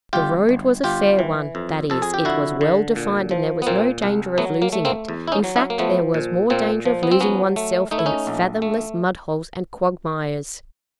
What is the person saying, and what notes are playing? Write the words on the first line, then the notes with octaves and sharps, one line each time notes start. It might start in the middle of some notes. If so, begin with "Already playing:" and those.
The road was a fair one; that is, it was well defined and there was no danger of losing it; in fact, there was more danger of losing one's self in its fathomless mud-holes and quagmires.
G1 F4 G4
G1
G1 F4 G4
E3
F2
F2 A4
G#4
G4
D3 E4 F#4
D3
A#2
F3
B3
A#2 A#3 C4
C2
F#3 A3 B3
A#3
A3
A#3 C4
E2
E4
C#4 D#4
F#3
D4 E4
A#3
F3 A3 B3
A#2
A#2 A#3 C4
F3
B3
C4
F#3 B3 C#4
A3
A3 D#4
E4
C#4 D#4
A#1
A3